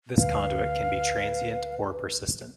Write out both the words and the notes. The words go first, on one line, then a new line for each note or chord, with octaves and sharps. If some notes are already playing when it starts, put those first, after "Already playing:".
This conduit can be transient or persistent.
D2 B4 F5